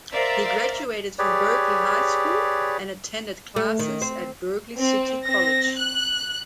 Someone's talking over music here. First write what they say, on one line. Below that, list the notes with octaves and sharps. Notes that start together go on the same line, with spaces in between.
He graduated from Berkeley High School and attended classes at Berkeley City College.
A#4 C5 D5 E5 F5
G4 G#4 B4 C#5 D5
A3
D#3
C4
C4
C4 A#6
F#6